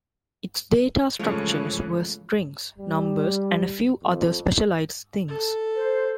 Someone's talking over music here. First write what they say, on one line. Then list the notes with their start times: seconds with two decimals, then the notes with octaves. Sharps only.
Its data structures were strings, numbers and a few other specialized things.
1.19 C#3 E3 F3 G#3 A3 C#4 C#5
2.79 G3
4.03 F2
5.28 A4
5.75 C5